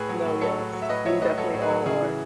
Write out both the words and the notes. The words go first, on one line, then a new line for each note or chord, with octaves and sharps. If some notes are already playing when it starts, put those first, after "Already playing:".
No, yes. We definitely all are.
Already playing: A2 G#4 B4
F#3
A2
F#3 A4 C#5
A2
F#3
E5
A2 B4 D#5
F#3 C#5 E5
A2 B4 D#5
F#3 A4 C#5
A2
G#4 B4
F#3
C#3 E4 G#4
E3